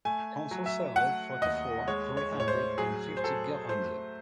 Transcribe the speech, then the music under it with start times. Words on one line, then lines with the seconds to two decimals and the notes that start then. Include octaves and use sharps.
Consuls Alley, forty-four, three hundred and fifty Guérande.
0.05 A3 G#5
0.51 F#3
0.66 E5
0.96 A3 F#5
1.41 D#2 D#5
1.88 G#3 C#5
2.17 C#5
2.32 A2
2.40 C#5
2.48 C5
2.78 F#3 G#4
3.17 C5
3.24 F#3 A4
3.69 A3 C5